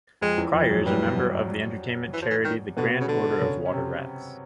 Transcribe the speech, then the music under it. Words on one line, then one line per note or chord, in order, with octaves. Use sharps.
Cryer is a member of the entertainment charity the Grand Order of Water Rats.
F2 F3 G#3
E2 E3
F2 F3
F#2 F#3
G2 E3 G3
F#2 F#3
E3
F3
E3
D#3
B2 D3 B3
C#3
D3
C#3 C#4
C#4
C3 C4